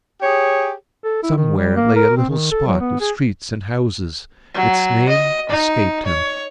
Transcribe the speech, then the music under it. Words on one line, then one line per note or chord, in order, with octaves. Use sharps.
Somewhere lay a little spot of streets and houses; its name escaped him.
G4 G#4 C#5
A4
E4
D#3
G3
A#3
A#4
C4
D#3
A4
F#3
B3
G#4
F#3
D#5
D#4
C#5